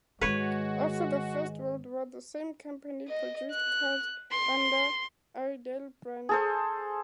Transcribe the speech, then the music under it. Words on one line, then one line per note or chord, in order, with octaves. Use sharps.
After the First World War, the same company produced cars under Airedale brand.
G#2 D#3 G#3 F#4 B4 C#5
D#5
F#6
C6
G#4 A4 C5